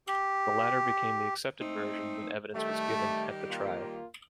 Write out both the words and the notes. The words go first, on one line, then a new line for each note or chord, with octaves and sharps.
The latter became the accepted version when evidence was given at the trial.
G4
A3 C4 D#4
D#3 G3 A3 G4
A#3 F4